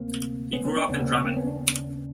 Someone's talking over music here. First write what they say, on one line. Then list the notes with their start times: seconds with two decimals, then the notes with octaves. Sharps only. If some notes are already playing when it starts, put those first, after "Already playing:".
He grew up in Drammen.
Already playing: D2 C3 A#3 C4
0.53 B3 C#4
0.65 B3 C#4
0.76 C4 D4
0.88 D#2 C#3 B3 C#4
1.00 A#3 C4
1.12 B3 C#4
1.24 A#3 C4
1.36 B3 C#4
1.47 D4